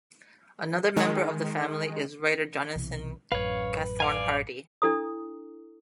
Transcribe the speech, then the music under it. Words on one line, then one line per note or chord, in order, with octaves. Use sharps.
Another member of the family is the writer Jonathan Gathorne-Hardy.
D#3 G#3
B1 C3 E3
A1 F#2 B4 C#5 F5
D5 F5 G#5
D4 E4 A4 A#5 D#6